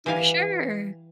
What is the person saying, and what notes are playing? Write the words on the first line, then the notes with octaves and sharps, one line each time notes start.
For sure.
E3 G3 F5 G#5